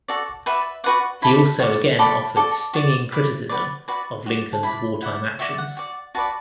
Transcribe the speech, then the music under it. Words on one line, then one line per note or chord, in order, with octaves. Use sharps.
He also again offered stinging criticism of Lincoln's wartime actions.
F#4 A4 D5
F#4 B4 D5 E5
F#4 B4 D5 F#5
E4 A4 D5 B5
F#4 D5
F#4 A4 D5 B5
F#4 A4 D5 D6
F#4 D5
E4 D5
F#4 B4 D5
F#4 B4 D5
F#4 D5
A5
E4 D5 B5
E4 D5 F#5
F#4 D5 E5
F#5
F#4 D5
F#4 B4 D5 A5